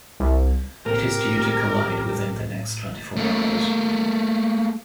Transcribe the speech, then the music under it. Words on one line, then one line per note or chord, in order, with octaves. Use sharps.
It is due to collide within the next twenty-four hours.
C2
A2 A#3 C4 G4 A#4
A3 A#3